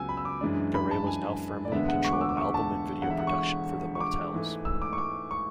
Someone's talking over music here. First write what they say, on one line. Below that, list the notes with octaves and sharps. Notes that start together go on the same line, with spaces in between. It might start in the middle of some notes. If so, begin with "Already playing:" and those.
Garay was now firmly in control of album and video production for The Motels.
Already playing: C#2 C#3 F#3 B3 G#5 E6
B5
E6
D6
F#2 E3 G#3 D4
B5
A5
G#5
D5
E1 D2 D3 G#3 B3 E5
F#5
C#6
D6
E6
D6
C#6
A5
E1 E2 D3 F#5
E5
F#5
C#6
C#6
D6
G#2 E3 A3
E6
D6
C#6
D6
C#6